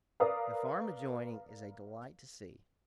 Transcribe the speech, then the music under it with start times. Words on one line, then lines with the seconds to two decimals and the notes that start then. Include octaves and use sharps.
The farm adjoining is a delight to see.
0.20 A#4 B4 D5 F5 A#5 D#6